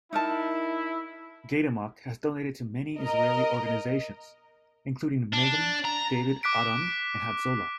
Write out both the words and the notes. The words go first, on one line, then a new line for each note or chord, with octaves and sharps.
Gaydamak has donated to many Israeli organizations, including Magen David Adom and Hatzolah.
D#4 E4 A#4 A5
A#4 D#5
D4
A#5
D6 F#6 B6 D7